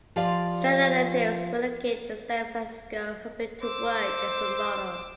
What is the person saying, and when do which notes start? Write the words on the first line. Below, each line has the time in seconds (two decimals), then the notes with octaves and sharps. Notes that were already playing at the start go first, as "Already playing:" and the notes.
Standing at Phillips relocated to San Francisco hoping to work as a model.
0.16 F3 F4 G4 D5 F5
3.62 C5 D6 E6